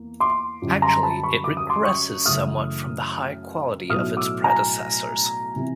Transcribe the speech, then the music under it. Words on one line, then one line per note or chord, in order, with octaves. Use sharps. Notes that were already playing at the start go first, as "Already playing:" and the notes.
Actually, it regresses somewhat from the high quality of its predecessors.
Already playing: E2 A#3
C6 D6
F#2 D3 G3
A#5 C6
A5 B5
B5 C#6
D6
D#6
C6 D6
C#6 D#6
F#2 C#3 E3 A3 D#6 F6
B1 A2 F#3 A3 D#6 F6
D6 E6
G#5 A#5
C3 E3